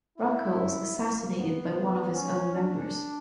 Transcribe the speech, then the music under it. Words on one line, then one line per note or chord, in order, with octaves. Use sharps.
Rockwell was assassinated by one of his own members.
E4
A#3
B3
C#4
D4